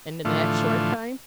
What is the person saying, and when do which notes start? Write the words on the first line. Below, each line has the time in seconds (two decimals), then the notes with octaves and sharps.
And in that short time!
0.25 A2 D3 E3 F3 A3 F4